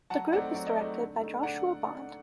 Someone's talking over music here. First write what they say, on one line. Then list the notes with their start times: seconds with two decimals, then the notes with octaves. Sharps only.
The group is directed by Joshua Bond.
0.10 F#3 F#5 A5
0.33 A3 C4 D#4 D5 F#5
0.55 F#3 D5
0.66 D#5
0.76 A3 C4 D#4 D5
1.00 D3
1.21 A3 D#4
1.43 D3 D5 F#5